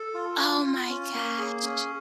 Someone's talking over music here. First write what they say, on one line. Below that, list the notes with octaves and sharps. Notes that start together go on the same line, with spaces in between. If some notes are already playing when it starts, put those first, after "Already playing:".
Oh my gosh.
Already playing: A4
F4
F4
F4
C#4
A#3
G#4
C#4